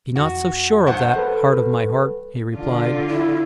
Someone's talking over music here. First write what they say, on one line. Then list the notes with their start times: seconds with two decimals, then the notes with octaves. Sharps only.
"Be not so sure of that, heart of my heart," he replied.
0.16 F2 F#4
0.87 G2 C5 F#5
1.16 A4 B4
2.57 D3 F4
3.09 E4